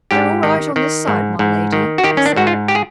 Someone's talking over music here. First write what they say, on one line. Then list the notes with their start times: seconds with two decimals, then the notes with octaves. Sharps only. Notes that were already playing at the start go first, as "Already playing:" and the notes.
"They're all right on this side, my lady," he said.
0.11 G#2 G4
0.43 D#3
0.76 D#3
1.08 G#2
1.39 G#2
1.73 D#3
1.98 F#4
2.04 D#3 G4
2.17 C#4
2.26 D4
2.36 G#2 F#4
2.47 F4
2.68 G4
2.75 G#4